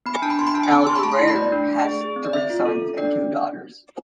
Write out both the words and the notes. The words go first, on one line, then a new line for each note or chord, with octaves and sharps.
Al Ghurair has three sons and two daughters.
B3 B5
G#5
D4 A5
B5
B3 C6
B5
D4 A5
G#5
C4 A5
G#4 C6
B5
A3 A5
C6
E4
B5
A3 D5
D4
A3
G#4
G#4
C4
D5
C4 E5
F4
A4
A4
D4 D5